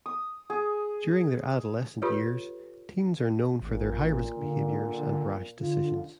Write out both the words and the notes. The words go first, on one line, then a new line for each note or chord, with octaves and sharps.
During their adolescent years, teens are known for their high-risk behaviors and rash decisions.
D#6
G#4
F4 G4 A4 B4 C#5
A1 A#2
D3
D3 F4